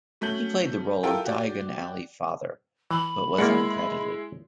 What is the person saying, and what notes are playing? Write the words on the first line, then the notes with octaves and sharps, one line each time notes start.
He played the role of Diagon Alley Father, but was uncredited.
F#3 A3 C#4 G6 F#7
E4 F4 G4 A4 A#4 G5
F#4 G4 D5
E3 B5
G#3 A#3 E4 D5 F#5